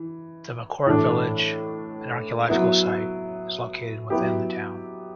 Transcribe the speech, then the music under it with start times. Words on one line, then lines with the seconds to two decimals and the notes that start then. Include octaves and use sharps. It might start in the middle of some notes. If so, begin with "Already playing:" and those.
The McCord Village, an archaeological site, is located within the town.
Already playing: E3
0.86 A2 E3 A3 D4 A4
2.49 F#3 B3 E4
4.10 F#3 B3 E4 G4